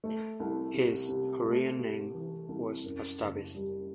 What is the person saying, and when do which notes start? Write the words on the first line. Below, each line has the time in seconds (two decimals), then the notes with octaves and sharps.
His Hurrian name was Astabis.
0.04 A3
0.40 C2
0.74 C3
1.09 C3
1.44 A3
1.79 C3
2.14 E3
2.49 C2
2.84 F#2
3.20 F#1
3.55 G3